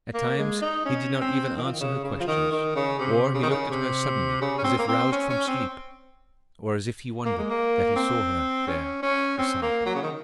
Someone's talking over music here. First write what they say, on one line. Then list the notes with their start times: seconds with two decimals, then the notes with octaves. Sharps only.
At times he did not even answer her questions, or he looked at her suddenly as if roused from sleep, or as if he wondered that he saw her there beside him.
0.14 A#3
0.39 G#3
0.62 D#4
0.85 C#4
1.21 C4
1.57 D#3
1.64 F3
1.73 D#3
1.81 C#3
2.04 C#3
2.20 F3
2.28 D#3
2.52 D#3
2.75 C#3
2.99 C3
3.34 C#3
3.43 D#3
3.50 C#3
3.71 C3
4.41 C#3
4.58 C#4
4.65 C4
4.79 A#3
4.88 C4
5.12 C#4
5.30 C#4
5.47 C4
7.25 A#3
7.38 G#3
7.50 A#3
7.96 C4
8.67 C#4
9.03 C#4
9.39 C4
9.62 A#3
9.86 F#3
9.95 C#3
10.03 D#3